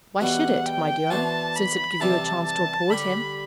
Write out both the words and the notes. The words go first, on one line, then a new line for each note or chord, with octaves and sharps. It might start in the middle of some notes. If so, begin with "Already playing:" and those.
"Why should it, my dear, since it give you a chance to uphold him?"
E2 B2 G3 B3 F#4 F#5
G5
E3 B3 D4 F#4 C5 A5
B5
C3 E3 G3 C4 G4 A5
A5
D3 G3 D4 G4 B5